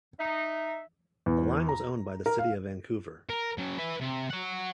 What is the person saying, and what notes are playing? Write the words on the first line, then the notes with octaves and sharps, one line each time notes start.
The line was owned by the City of Vancouver.
D#4 E5
E2
A#5
A#4
F5
A#4
C#3 F#3
B4 E5
C3
C#5 F#5